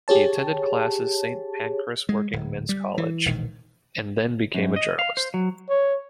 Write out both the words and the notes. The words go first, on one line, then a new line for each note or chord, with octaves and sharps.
He attended classes Saint Pancras Working Men's College and then became a journalist.
G4 G#4 C#5 A5
G#3
D1
G3
E3
E1 A#1 D#3
F#2
D#5
F5
C5
F#3
C#5